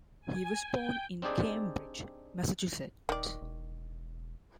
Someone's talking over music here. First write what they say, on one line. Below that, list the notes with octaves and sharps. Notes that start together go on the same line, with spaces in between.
He was born in Cambridge, Massachusetts.
G#5
G5
C4 D4 D#4 G4 G#4 D5
D#1 D#3 D5
E1